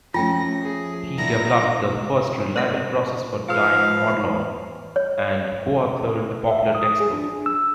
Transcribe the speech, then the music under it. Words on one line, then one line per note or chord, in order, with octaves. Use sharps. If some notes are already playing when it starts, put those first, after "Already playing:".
He developed the first reliable process for dyeing Orlon and coauthored a popular textbook.
F3 A3 C#4 F4 G5 A#6
G#4
B3 D4 E4 A#5 A#6
A#4 C#5 D5
F3 F4 G#4 B4 F5
C#5
E5
D#6
G#4
D4
E6